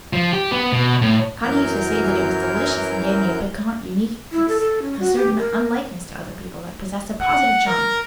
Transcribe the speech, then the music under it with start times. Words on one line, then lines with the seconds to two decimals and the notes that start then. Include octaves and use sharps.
Connie used to say that it was delicious and gave me a piquant uniqueness--a certain unlikeness to other people that possessed a positive charm.
0.13 F3
0.33 G4
0.52 B3
0.73 B2
1.02 A2
1.43 F#2 E3 F#3 A#4 G6
4.32 E4
4.48 A4
4.60 A4
4.82 C#4
5.00 F#4
5.15 G4
5.38 A#4
7.22 F#5
7.67 A#4